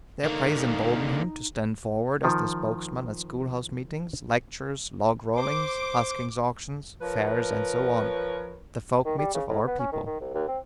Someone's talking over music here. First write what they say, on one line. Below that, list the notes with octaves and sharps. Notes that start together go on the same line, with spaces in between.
Their praise emboldened him to stand forward as the spokesman at schoolhouse meetings, lectures, log-rollings, huskings auctions, fairs, and so on--the folk-meets of our people.
D3 A#3 D#4
D#3 F3
C5 D6
F3 A#4 B4 C#5
D#3
G3
C#3
A2
B3
C#4
D#3
D#3
C2
D#2
C4